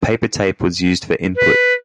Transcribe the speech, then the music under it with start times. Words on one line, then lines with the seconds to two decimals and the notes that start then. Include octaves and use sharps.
Paper tape was used for input.
1.35 B4